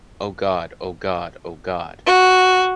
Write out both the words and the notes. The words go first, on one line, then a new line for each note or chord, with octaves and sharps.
Oh god, oh god, oh god!
F#4